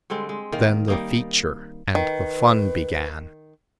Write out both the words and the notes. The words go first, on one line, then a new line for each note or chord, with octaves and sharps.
Then the "feature" and the fun began.
D3 G3 G#3 C4
G#3
D#3 A#3
G3 A#3 D#4
D#3 B4